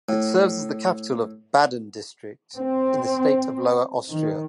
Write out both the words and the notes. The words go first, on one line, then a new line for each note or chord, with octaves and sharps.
It serves as the capital of Baden District in the state of Lower Austria.
A2
C4
D#3